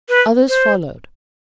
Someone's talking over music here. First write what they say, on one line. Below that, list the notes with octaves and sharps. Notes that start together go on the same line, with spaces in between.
Others followed.
B4
C5